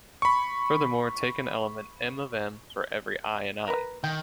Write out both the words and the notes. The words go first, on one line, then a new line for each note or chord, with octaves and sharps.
Furthermore, take an element "m" of "M" for every "i" in "I".
B5 C#6
A#4 B4
D#3 G5